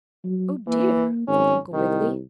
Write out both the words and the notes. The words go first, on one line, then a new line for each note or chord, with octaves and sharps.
"Oh, dear!" thought Uncle Wiggily.
F#3
E3 A#3
G#1 C#4
C2 D#3